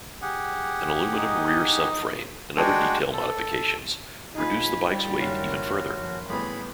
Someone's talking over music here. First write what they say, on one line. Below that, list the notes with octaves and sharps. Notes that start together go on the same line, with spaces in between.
An aluminum rear subframe and other detail modifications reduced the bike's weight even further.
G4 G#4 F#5
D#4
G#3 D4 F#4 G#4 F#5 G5
A4
D#4 F4 G#4 B4
G3
F#1 D#3 A#3 C#4 F#4
F3
A1 G3 B3 G#4 B5